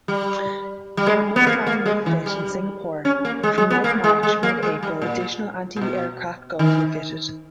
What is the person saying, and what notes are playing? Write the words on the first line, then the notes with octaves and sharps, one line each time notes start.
In a month-long refit in Singapore from mid-March-mid-April, additional anti-aircraft guns were fitted.
G3
G3
G#3
B3
A#3
A#3
G#3
E3
G3
C#4
A#3
G#3
G#3
B3
A#3
G#3
G#3
A#3
G#3
G3
A#2
A#2
B2
D#3